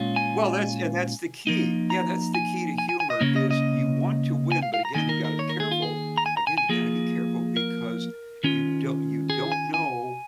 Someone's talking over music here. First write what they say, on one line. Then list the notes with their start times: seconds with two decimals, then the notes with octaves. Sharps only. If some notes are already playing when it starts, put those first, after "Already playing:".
Well, that's and that's the key, yeah, that's the key to humor is you want to win, but, again, you gotta be careful again, you gotta be careful because you do you don't know
Already playing: A#2 G#3 C#4 F4
0.16 G#5
1.47 F3 A#3 D#4
1.90 A#5
2.35 G#5
2.78 G#5
2.89 G#5
3.00 G#5
3.10 D#5
3.21 C#3 A#3 C#4 C#5
3.36 D#5
3.51 D#5
4.52 G#5
4.62 F5
4.74 F5
4.85 A#5
4.95 D#3 A#3 D#4 G#5
5.09 A#4
5.25 A#4
5.39 C#5
5.49 A#4
5.60 G#4
5.71 F4
5.82 G#4
6.18 A#5
6.26 G#5
6.37 A#5
6.47 G#5
6.58 G#5
6.69 F3 A#3 F4 G#4
7.57 A#4
8.43 D#3 C#4 F4
9.30 G#4
9.52 G#5
9.74 G#5